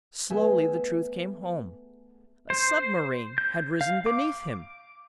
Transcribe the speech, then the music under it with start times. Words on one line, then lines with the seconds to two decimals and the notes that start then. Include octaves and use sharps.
Slowly the truth came home: a submarine had risen beneath him.
0.30 A3 B3 G#4 E5 G5 G#5
2.50 C5
3.38 G6
3.81 F5
4.06 D6